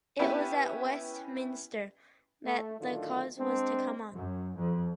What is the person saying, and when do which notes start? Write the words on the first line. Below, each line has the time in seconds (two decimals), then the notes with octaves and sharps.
It was at Westminster that the cause was to come on.
0.19 B3 C#4 E4 G4 B4
2.45 A3
2.81 A2 D3 D#3 F#3 A3 F4
3.39 G#3 C4 D4
4.15 F#2
4.57 F2